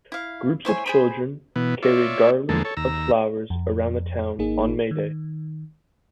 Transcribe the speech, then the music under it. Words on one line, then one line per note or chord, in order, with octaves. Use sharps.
Groups of children carry garlands of flowers about the town on May Day.
E4 F5
E4 C5 C#5 G#5
G#4 C5 B5
B2 E3 B3
F4 C#5 D5 E5
E2 D3 F3 G#3 A#3 A4
A4 C#5
D#2 A#5 E6
F2
G#1 A#3 D#4 G#4
D#3